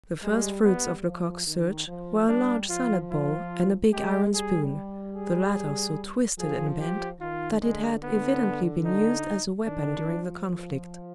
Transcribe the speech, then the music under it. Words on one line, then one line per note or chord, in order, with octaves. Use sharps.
The first fruits of Lecoq's search were a large salad-bowl and a big iron spoon, the latter so twisted and bent that it had evidently been used as a weapon during the conflict.
G3 G#3
G3 B3
F3
D#3
F3
G3 D4
F3 F4
F4
G#3 G4
G3 G#4
G#4
F3 G#4
G4
D#3 F4
D3 G#3
D3 B3
D#4
D#3 D4
F3
F3